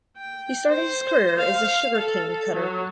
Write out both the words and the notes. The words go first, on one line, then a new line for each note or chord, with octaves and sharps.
He started his career as a sugar cane cutter.
G5
C5
F5
A4
F#3